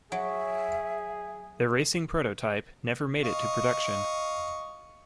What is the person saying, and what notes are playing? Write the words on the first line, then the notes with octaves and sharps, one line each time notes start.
The racing prototype never made it to production.
F#3 G#4 E5
D#5 F5 C#6